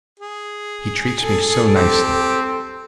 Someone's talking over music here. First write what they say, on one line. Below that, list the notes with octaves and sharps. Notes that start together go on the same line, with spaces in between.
He treats me so nicely.
G#4
A4
C4 G4